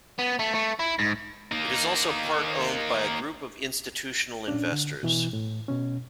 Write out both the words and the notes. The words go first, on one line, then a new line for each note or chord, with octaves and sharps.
It is also part-owned by a group of institutional investors.
B3
A3
A3
E4
G#2
A#3 D#4
A#2 C#4 D4
D3
B2 E3
A2
B2 C#4